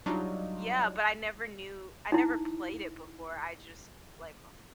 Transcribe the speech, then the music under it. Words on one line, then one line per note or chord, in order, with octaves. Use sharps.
Yeah, but I never knew I never played it before. I just like, uh
F#3 G3 D4 D#4 F4
D#4 E4